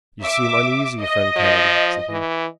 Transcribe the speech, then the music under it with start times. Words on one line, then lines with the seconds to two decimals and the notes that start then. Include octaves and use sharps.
"You seem uneasy, friend Kennedy," said he.
0.23 E5 D6
1.01 D#5
1.36 F3
2.09 E3